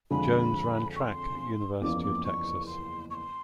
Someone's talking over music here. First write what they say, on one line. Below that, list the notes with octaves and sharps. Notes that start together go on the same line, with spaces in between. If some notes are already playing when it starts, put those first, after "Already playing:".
Jones ran track at University of Texas.
F2 D3 F3 G#3 B5
C#6
C6
F#1 E2 C#3 F3 A#3 D6
D6
C#6
C6
C#6
C6